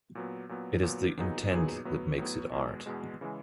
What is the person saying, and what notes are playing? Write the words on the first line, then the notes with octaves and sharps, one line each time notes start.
It is the intent that makes it art.
A#2 F#3 B3
A#2 F#3 B3
A#2 F#3 B3
A#2 F#3 B3 D#4 G#4
A#2 F#3 B3 D#4 G#4
A2 F#3 B3
A2 F#3 B3
E2 B2 G#3
E2 B2 G#3
C#3 E3 G#3